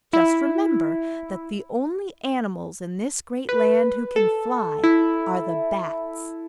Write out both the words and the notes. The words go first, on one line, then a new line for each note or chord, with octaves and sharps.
Just remember that the only animals in this great land who can fly are the Bats.
E4
B4
A4
E4